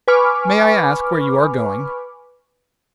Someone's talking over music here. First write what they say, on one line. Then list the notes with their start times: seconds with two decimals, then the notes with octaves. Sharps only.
May I ask where you are going?'
0.08 B4 G#5 B5 C#6 D6 F6